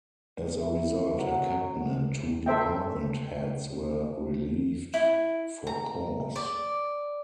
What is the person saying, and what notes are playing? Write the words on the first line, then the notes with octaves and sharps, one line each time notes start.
As a result, her captain and two department heads were relieved for cause.
E4
F#3
A4 C5 E5 G5
E4
A#5
D5